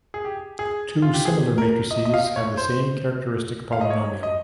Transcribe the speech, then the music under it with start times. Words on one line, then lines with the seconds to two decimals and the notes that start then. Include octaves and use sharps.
Two similar matrices have the same characteristic polynomial.
0.14 G#4
0.25 G4
0.59 G#4
1.02 F4
1.13 G4
1.25 G#4
1.58 A#4
1.91 D#5
2.05 D#5
2.14 F5
2.36 C#5
2.57 C5
3.72 F5
3.81 D#5
3.90 C#5
4.23 D#5